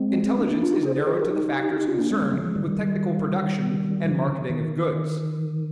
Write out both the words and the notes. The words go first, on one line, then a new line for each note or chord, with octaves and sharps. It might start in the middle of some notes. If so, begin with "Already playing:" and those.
Intelligence is narrowed to the factors concerned with technical production and marketing of goods.
Already playing: G#3 C4
A#3 D4
A#3 D4
D4 F4
D#4 G4
G#4 C5
G#4 C5
G#4 C5
G4 A#4
D#4 G4
D#4 G4
D4 F4
A#3 D4
G#3 C4
G3 A#3
F3 G#3
F3 G#3
D#3 G3
D#3 G3
D3 F3
D#3